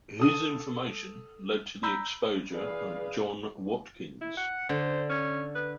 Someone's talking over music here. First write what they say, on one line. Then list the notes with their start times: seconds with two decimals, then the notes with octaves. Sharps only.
His information led to the exposure of John Watkins.
0.19 A4 D#6 D#7
1.83 A#5 B5 E6 G6
2.54 E3 G#4 B4 D5 F5
4.21 E4
4.37 F#5
4.69 D3 C5
5.09 C#4
5.55 B4